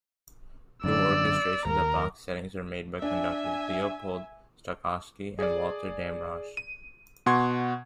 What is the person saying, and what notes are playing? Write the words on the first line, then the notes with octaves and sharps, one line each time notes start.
Two orchestrations of Bach's settings were made by conductors Leopold Stokowski and Walter Damrosch.
F#2 D3 D5 E6
D#2 A#4 A#5
D4 E5 G#5
G#4 D5
D#7
B2 F#5 C6 C#6 G#6